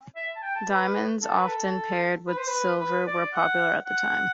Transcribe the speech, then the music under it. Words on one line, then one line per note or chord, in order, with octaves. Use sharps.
Diamonds, often paired with silver, were popular at that time.
E5
A5
G5
A5
B4
A4
B4
A4
B4
C5
B4
B4
D5
F#5
F#5